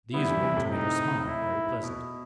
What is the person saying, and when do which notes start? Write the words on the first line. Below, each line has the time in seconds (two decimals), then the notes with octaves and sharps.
These words made her smile very pleasantly.
0.14 G3 B3 E4
0.28 E3 G3
0.42 C3 E3
0.56 A2 C3
0.70 D#4
1.28 A2 E4
1.83 B2